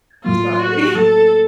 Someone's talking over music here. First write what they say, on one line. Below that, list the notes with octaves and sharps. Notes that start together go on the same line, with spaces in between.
I'm sorry.
A2 F#3 A#3 F4
F#4
A2 F#3 A#3 A4